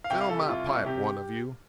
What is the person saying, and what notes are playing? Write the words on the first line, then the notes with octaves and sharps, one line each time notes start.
'Fill my pipe, one of you.
F5
C2 G5
F5
C2 A4
G4
C2 F4
C2
C3 G4